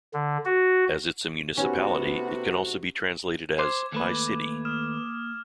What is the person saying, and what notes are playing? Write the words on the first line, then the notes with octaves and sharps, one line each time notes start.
As it's a municipality, it can also be translated as "high city".
D3
F#4
C3 A3 B3 C#4 D#4 F#4 G4
C5 D6 G#6
D#2 A3 A#3 B4
D#6 F6 E7